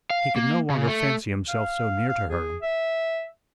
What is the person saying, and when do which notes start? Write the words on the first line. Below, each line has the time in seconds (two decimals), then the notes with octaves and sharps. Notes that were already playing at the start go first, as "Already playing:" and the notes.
He could no longer fancy himself so near to her.
0.10 F5
0.36 A#3
0.70 C#3
0.88 A3
1.49 F5
2.09 F5
2.30 G#4
2.62 E5